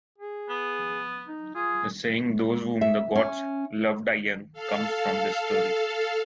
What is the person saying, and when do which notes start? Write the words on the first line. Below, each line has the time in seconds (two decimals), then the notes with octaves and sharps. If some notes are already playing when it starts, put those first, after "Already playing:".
The saying "those whom the gods love die young" comes from this story.
0.18 G#4
0.49 B3
1.27 D#4
1.55 F4 G#4
2.81 E5
3.15 C#4
4.53 A4 F5